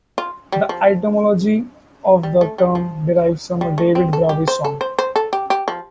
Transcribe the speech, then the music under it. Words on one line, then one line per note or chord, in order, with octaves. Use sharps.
The etymology of the term derives from a David Bowie song.
F4
G3
F3
G3
A3
G3
F3
G3
A3
C4
A4
G4
C5
A4
C5
C5
A4
G4
G4
F3